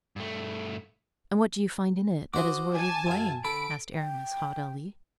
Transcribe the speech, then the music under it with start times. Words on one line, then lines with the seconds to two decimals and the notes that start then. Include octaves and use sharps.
"And what do you find in it that is worthy of blame?" asked Aramis, haughtily.
0.16 G2 A3
2.34 F#4 C5 D#5 D6
2.76 G#5 A5
3.07 F#2 F5
3.45 D3 A4 B5 D7
3.93 G5